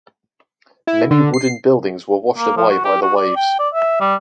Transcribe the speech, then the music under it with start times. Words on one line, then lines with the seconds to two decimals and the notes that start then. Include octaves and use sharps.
Many wooden buildings were washed away by the waves.
0.87 E4
1.11 D3
1.34 C7
2.38 A#3
2.57 F3
2.70 F#4
2.85 G4
3.02 F#4
3.16 D5
3.36 G5
3.59 D5
3.74 E5
4.01 G3